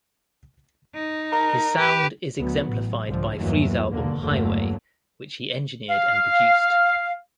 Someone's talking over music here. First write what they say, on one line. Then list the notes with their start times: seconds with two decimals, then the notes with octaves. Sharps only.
His sound is exemplified by Free's album "Highway", which he engineered and produced.
0.95 D#4
1.32 A#4
1.77 G4 B4
2.38 D2 F#3 B3
2.69 A1
3.06 C2 G#2 D3 F3
3.38 E2 G2 E3 F#3 G#3 A#3
3.89 D#2 B2 D3 A#3
4.20 G1 E2 D3 F#3 A3 A#3
5.90 F5